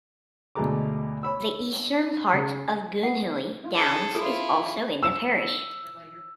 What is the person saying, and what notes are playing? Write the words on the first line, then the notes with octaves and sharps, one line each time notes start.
The eastern part of Goonhilly Downs is also in the parish.
D2 B2 G#3 A3 A#5 D6
C#5 B5 E6
C#3
F#5
G#4 A4
E4 F4 G#4 A4
E6 E7